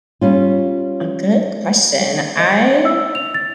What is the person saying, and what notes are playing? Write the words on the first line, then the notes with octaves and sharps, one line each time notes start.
a good question, I
G3 C#4 F4
D#5
A6
E6
F7
A6